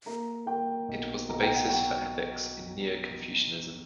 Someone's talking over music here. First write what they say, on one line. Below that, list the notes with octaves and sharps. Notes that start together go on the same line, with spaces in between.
It was the basis for ethics in neo-Confucianism.
A#3 A#5
A#3 G5
B1
B1 A#5
G5
F#5
F#3 G5